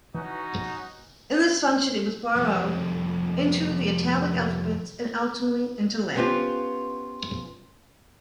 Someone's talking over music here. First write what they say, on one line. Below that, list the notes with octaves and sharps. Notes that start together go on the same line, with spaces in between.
In this function, it was borrowed into the Italic alphabets and ultimately into Latin.
E3 C#4 D#4 F#4
C2 F2
B3 C#4 F4 G4 C5